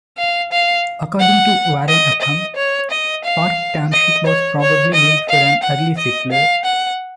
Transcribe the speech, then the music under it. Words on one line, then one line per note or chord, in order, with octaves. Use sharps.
According to Warren Upham, Parke Township was probably named for an early settler.
F5
F5
F#5
D#5
D#5
C#5
D#5
F5
D#5
C#5
C#5
D#5
F5
F#5
D#5
F5
F#5